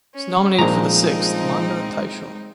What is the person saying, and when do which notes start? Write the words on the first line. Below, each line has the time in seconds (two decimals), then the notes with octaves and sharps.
It was nominated for the sixth "Manga Taisho".
0.15 C#4
0.59 A#1 F3 G#3 C4 D#4 A#5